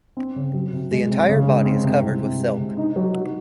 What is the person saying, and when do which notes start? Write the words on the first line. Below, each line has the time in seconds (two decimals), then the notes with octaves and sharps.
The entire body is covered with silk.
0.17 C4
0.36 C#3
0.53 F#3
0.73 C3
0.91 G#3
1.10 C3
1.29 C#3
1.47 G#3
1.65 C4
1.84 C3
2.02 C2
2.22 C3
2.39 G#3
2.58 C3
2.77 D#4
2.96 F#3
3.15 F#4